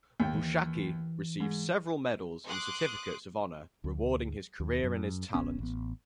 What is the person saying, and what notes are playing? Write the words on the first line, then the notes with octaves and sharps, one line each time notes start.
Boushaki received several medals and certificates of honor rewarding his career and his talent.
D#2 G5
E3
G#2
C6 D6 D#6 F#6
D2
D#2
F#2
D1 A1 B3 C#4
A1 B3